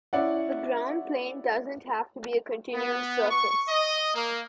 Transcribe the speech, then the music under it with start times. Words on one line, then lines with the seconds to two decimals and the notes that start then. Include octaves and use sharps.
The ground plane doesn't have to be a continuous surface.
0.13 C#4 E4 D5 F#5
2.75 B3
3.30 C#6
3.69 D#5
4.15 A#3